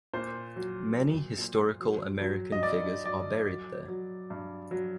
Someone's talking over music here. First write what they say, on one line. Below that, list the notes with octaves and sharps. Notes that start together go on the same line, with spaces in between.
Many historical American figures are buried there.
A#2 C5
F#3
A#2
A#2
F#3
F#3
D#5
G2 D5
F#3 D5
F#3
F#3
G2
F#3